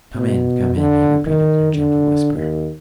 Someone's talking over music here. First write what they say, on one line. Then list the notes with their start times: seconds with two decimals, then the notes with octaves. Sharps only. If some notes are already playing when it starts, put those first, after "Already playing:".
"Come in, come in!" he repeated in a gentle whisper.
0.15 B2
0.76 D3
1.26 D#3
1.74 D3
2.35 D#2